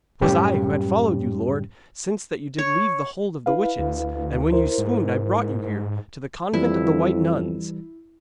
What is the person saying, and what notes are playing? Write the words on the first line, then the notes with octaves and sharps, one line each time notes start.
'Twas I who had followed you, lord, since that you did leave the hold of the witches, and when you swooned I brought you here, to the convent of the White Nuns.
F#2 A2 G3 C#4 G4
C#5
E4 B4 F5
D2
E4 A#4 C5
G#2
F2 E3 G3 E4